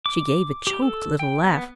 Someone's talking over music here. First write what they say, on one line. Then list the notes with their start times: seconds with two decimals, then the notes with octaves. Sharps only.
She gave a choked little laugh.
0.06 D6
0.67 G4
0.82 A4
1.19 G5
1.43 B3